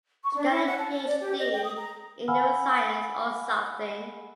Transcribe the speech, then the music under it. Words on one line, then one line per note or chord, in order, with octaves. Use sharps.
She got a Ph.D. in neuroscience or something.
C#6
D4
E4
F#5
A5
A5
D5
G4
D#5
G5
D#6
A#5
F5 F#5 G#5 B5 E6 F6